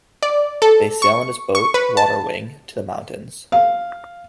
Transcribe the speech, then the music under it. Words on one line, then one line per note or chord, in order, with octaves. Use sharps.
They sail on his boat, "Waterwing" to the mountains.
D5
A4
C#6
C#6
B4
A5
F5